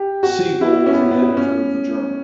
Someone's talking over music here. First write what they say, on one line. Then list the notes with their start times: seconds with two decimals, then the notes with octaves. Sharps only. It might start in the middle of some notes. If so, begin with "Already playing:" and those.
Siegel was the editor of the journal.
Already playing: G4
0.23 F#4
0.61 E4
0.86 C#4
0.94 B3
1.02 C#4
1.11 B3
1.37 C#4